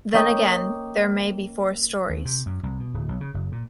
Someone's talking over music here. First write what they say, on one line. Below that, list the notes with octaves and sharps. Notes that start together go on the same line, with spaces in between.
Then again, there may be four stories.
A#3 C#4 D#5 G5
D#2
C3
F#2
C2
B2
D1
B1
C#3
F#1
A#2